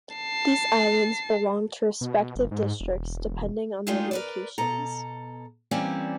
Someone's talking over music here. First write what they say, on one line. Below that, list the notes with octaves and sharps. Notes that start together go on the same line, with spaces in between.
These islands belong to respective districts depending on their locations.
A5 C7
B2
G1
G#2
E1
G#3 A3 D4 D#4 F4 G4
A#4 B4 D5
B2 A4 A#5
E3 G3 A#3 C4 C#4 D5